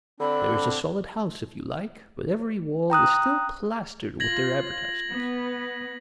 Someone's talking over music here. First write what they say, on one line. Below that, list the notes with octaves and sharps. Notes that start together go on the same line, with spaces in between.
There is a solid house if you like, but every wall is still plastered with their advertisements.
D3 C4 D4 B5
G5 A#5 D#6 F#6
F4 G#6 A#6 F#7
B3